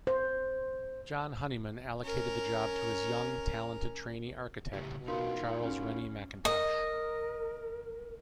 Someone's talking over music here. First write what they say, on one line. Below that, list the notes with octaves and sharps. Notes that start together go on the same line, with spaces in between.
John Honeyman allocated the job to his young, talented, trainee architect, Charles Rennie Mackintosh.
C5
C#4 A#4
A2 C#3 G4
B2
D#4 F4 F#4 A#4 F5 C6
C#4
A#4 D#5